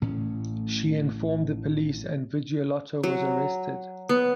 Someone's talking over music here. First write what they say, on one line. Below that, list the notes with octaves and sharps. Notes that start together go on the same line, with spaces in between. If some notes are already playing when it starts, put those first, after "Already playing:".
She informed the police and Vigliotto was arrested.
A1 A2 C#4
F#3
B3